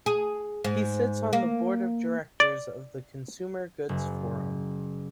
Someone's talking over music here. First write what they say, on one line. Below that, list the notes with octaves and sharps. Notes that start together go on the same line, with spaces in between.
He sits on the Board of Directors of the Consumer Goods Forum.
G#4
G#2
A#3
D5
F#1